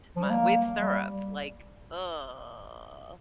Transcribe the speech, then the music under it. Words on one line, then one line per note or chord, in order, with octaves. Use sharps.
My with syrup, like, ugh.
F3
G3
A#3
G3